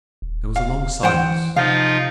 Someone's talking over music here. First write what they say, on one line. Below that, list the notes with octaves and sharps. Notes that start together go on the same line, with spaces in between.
There was a long silence.
D#1
F5
E3 C5 F#5 G5
C3 F3 D#4 F4 F5